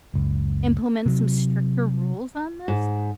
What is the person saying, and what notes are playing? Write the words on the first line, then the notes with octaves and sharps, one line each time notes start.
implement some stricter rules on this?
F#1 C#2
C3 F#3
G#2